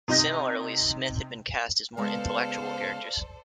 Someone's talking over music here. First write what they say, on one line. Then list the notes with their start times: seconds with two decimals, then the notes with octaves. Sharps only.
Similarly, Smith had been cast as more intellectual characters.
0.08 C3 D#4 D#5 G6 A#6
1.97 C#3 G#3 B3 A4 C5 D5 F5